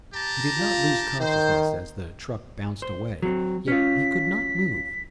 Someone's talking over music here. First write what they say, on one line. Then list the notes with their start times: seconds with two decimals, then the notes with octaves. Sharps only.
He did not lose consciousness as the truck bounced away, yet he could not move.
0.14 G4 A5 A#5
0.57 F4
1.21 D#3 C5
2.82 C5
3.22 F#3 C4
3.68 C#4 F4 B6